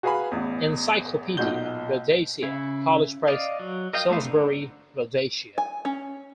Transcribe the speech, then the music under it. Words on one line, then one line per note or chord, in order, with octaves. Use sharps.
"Encyclopaedia Rhodesia", College Press, Salisbury, Rhodesia.
F#4 G#4 B4 F5 G#5 B5
A1 E2
B1 A#2 D#4 F#4 G6 G7
C#3 E4
D5 D#5 F5
F#3
A#4 D#5 F5 G5
E3 A3 B3 C5
D3 A#5
G#5
C#4